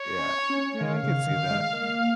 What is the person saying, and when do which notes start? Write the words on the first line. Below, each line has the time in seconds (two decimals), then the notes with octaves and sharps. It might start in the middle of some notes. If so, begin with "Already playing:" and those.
Yeah. Yeah, I can see that.
Already playing: C#5
0.19 C#4
0.50 C#4
0.80 D#3 F5
1.03 C#3
1.27 D#3
1.50 G#3
1.73 A#3